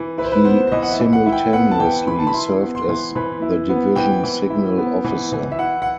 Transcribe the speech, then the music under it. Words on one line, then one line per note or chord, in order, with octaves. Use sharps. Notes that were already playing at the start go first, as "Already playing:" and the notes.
He simultaneously served as the Division Signal Officer.
Already playing: E3
E4 B4
C5
B4
B3 C5
C5
E3 D#5
F#5
E5
E3
F#5
E4
G5
B3 F#5
A5
E3 G5
E3 B5
A5
B5
E4 C6
B3
C6
E3 C6
E3 B5
E4
B3
E3 G5
E3
E4
B3
E3
E3
E5
E4 F#5
F#5